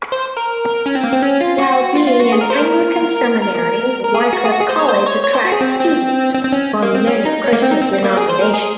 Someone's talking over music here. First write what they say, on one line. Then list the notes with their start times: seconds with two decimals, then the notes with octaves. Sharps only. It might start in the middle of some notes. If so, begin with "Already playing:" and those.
While being an Anglican seminary, Wycliffe College attracts students from many Christian denominations.
0.12 C5
0.37 A#4
0.86 C#4
0.95 C4
1.04 A#3
1.13 C4
1.22 C#4
1.41 F4
1.58 F#4
1.95 F4
2.07 F4
2.20 F#4
2.32 G#4
2.41 A#4
2.50 C5
2.59 A#4
3.41 A#4
4.04 A#4
4.14 G#4
4.33 F#4
4.45 G#4
4.51 F#4
4.60 G#4
4.69 C5
4.79 C#5
4.88 C5
5.06 C#5
5.24 C#5
5.34 C5
5.45 F#4
5.52 G#4
5.61 C4
5.80 C4
6.35 C4
6.45 C4
6.53 C#4
6.83 A#3
6.95 C4
7.07 C#4
7.25 D#4
7.44 C#4
7.53 A#3
7.62 C4
7.71 D#4
7.81 C4
7.92 C4
8.04 A#3
8.17 G#4
8.29 C5
8.41 A#4
8.54 G#4